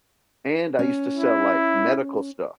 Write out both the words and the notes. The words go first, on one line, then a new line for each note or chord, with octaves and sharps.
and I used to sell like medical stuff
C#4
E4